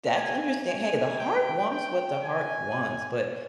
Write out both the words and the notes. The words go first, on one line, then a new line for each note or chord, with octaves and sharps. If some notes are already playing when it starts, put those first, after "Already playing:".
That's understa hey, the heart wants what the heart wants, but
G#5
G#5
G5
G5
G#5